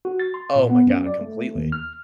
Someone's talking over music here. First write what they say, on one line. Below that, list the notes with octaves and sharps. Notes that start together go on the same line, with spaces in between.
Oh my god, completely.
F#4
A6
C6
A#2
B3
F#2
D5
A3
D#2
F6